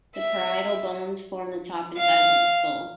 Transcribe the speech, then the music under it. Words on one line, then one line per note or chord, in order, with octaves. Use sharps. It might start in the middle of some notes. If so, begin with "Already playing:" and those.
The parietal bones form the top and sides of the skull.
E5
F5